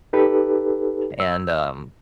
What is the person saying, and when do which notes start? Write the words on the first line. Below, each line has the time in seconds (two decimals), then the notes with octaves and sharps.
and, um
0.13 D#4 G4 A4 B4
1.20 E6